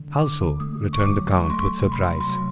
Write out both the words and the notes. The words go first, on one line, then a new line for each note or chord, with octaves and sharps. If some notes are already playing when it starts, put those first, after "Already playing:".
"How so?" returned the count, with surprise.
Already playing: D3
D3 D6
A3 D#6
C#6
F#3 D6
A3 C#6
C6
C#6
C3 C6
B5
C6
F#3 C6